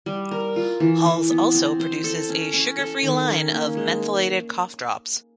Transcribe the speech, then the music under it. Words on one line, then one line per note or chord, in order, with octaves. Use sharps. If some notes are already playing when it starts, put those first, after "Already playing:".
Halls also produces a sugar free line of mentholated cough drops.
G3
A#4
F4
E3
E3
B3
C4
C5
A4
C#4
C#4
A4
D#3
C#4
A#3
G#3